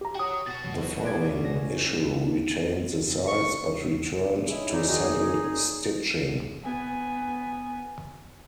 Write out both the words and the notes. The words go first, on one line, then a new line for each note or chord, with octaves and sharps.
The following issue retained the size, but returned to saddle-stitching.
G4 A#5
F#4 C#5 G5 D#6
B2 F#4 A6
F#3
B4 D5 G#6
C#4 A#6
C#6
C#4 D#4 E4 G#4
D4 D#4 D5
D#3 F3 D#4 F#4 G#4
A#3
B3 G#5